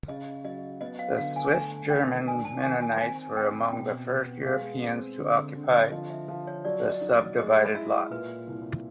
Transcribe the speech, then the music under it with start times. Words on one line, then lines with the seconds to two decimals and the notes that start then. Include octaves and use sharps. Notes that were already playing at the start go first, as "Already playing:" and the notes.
The Swiss-German Mennonites were among the first Europeans to occupy the subdivided lots.
0.08 C#3 D#5
0.45 F#3 D#5
0.81 B3 D#5
0.99 F5
1.18 D3 F5
1.36 G#5
1.54 A3 G#5
1.90 D#3 G5
2.27 D4 G#5
2.45 A5
2.63 D#3 G#5
2.82 G#5
3.00 C4 G#5
3.37 C4 G5
3.73 B2 G5
4.09 B3
4.47 G#3 F5
4.83 C4
5.19 D3
5.56 D3
5.92 F3 D#5
6.10 E5
6.28 F3
6.47 C#5
6.65 F#3 D5
6.89 D#5
7.01 D#4
7.14 D#5
7.38 G#3 D#5
7.75 E4 E5
8.10 A#2 B4
8.47 C2